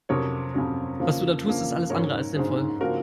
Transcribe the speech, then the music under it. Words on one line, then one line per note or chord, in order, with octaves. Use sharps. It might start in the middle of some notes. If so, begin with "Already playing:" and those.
Was du da tust ist alles andere als sinnvoll.
F2 C3 F#3 C#4 A#4 C#5
F2 C3 F#3 C#4
C#3 F3 A#3
C#3 F3 A#3
G#2 F#3 C#4 A#4 C#5
G#2 F#3 C#4 G#4 C5
C#3 F3 A#3 C#4 F#4 A#4